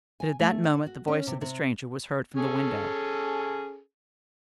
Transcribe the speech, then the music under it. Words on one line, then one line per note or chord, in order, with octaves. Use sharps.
But at that moment the voice of the stranger was heard from the window.
G#5
A3
F#5
F#4
C#4
C3
C3
C#4 G#4 A4